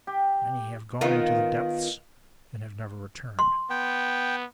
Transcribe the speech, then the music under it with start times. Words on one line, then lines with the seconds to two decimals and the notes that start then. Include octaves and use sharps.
Many have gone into the depths and have never returned....
0.07 G4
1.01 D#3 B3 F4
3.39 C6
3.70 B3 G5